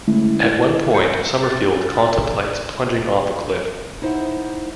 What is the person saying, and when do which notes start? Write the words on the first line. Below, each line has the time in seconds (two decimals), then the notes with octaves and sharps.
At one point Summerfield contemplates plunging off a cliff.
0.07 D3 G#3 A3 C#4 E4
0.44 E4
0.94 G6 C7 C#7
1.42 A6
2.31 D5
4.02 D#4 E4 C5 D5 E5 F#5